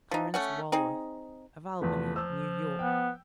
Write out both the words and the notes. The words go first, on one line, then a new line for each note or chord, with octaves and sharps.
Clarence Walworth, of Albany, N.Y.
F3 D#4
A3 C#4 F#5
C4 D#4 G#4
E2 F3 A3 B4
F3 E6
B3 G5